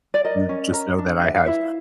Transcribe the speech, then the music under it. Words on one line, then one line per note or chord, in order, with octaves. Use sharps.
You just know that I have
D5
A#4 D#5
C#4
A#4
D4
B4 E5
F5
E4 E5